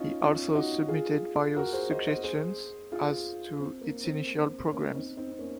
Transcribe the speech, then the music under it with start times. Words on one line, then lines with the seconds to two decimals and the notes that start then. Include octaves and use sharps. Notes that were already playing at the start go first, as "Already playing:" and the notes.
He also submitted various suggestions as to its initial programs.
Already playing: C#4 D#4 F4
0.21 C#4 F4
0.55 D#4 F#4
0.88 F4 G#4
1.56 F#4 A#4
1.73 G#4 C5
1.90 C5 D#5
2.07 C5 D#5
2.23 G#4 C5
2.92 F4 G#4
3.60 C4
3.81 A#3
4.04 C4
4.27 A#3
4.49 C4
4.71 A#3 C#4
4.94 C4 D#4
5.17 C4 D#4
5.31 C4
5.39 A#3 C#4